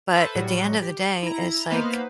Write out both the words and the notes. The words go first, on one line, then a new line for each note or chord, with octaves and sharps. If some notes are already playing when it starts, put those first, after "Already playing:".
but at the end of the day, it's like,
A4 B4 C5 E5
A2 F#3 G3 F#4
G4
E4 A#5
A#3 B3 D#4 B4 C5 F5